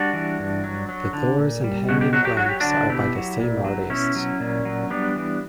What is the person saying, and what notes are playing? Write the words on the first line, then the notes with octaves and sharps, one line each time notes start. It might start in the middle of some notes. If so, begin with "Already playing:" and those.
The doors and hanging lamps are by the same artists.
Already playing: G3 D4 F#4
E3
G2
F#3
F#3
D3
A#2
G3
B2 F#4
G4
F#3 F#4
G4
F#3 F#4
G4
D3 D4 F#4
B2 E4 G4
F#3
A#2
F#3
B2 C#4 E4
F#3
A#2
F#3
G3 B3 D4
E3